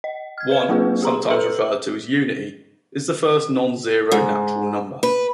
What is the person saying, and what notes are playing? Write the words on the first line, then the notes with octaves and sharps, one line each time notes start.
One, sometimes referred to as unity, is the first non-zero natural number.
D#5
F6 G#6
B4 C5 F5
F#3 A#3 C4 F4 G#4 B4
G4 G#4 A#5 C6
A4 B4 E6 C#7 F#7
G#2
B4